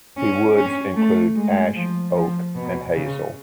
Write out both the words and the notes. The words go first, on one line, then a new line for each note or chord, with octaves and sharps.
The woods include ash, oak, and hazel.
C#4
C#4
A3
G#3
F3
F3
B2
C#3